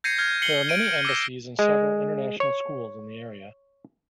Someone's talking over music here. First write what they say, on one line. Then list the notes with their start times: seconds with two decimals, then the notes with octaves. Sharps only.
There are many embassies and several international schools in the area.
0.04 G6 G#6 A#6 C7 C#7 D#7
0.18 F6 G6 G#6
0.42 C7 C#7 F#7 G7
0.69 D7 D#7
1.05 D6 E6 A#6
1.59 G#3
2.40 C#5